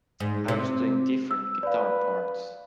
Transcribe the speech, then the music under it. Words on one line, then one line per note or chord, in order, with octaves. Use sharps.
I was doing different guitar parts.
G#2
C3
E6
B4 D5 F5